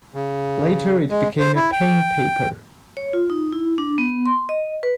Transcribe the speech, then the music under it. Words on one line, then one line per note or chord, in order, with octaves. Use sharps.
Later it became a paying paper.
C#3
G#3
C5
E4
G5
C#5
F4
D#4
E4
D4
B3
C6
D#5
B4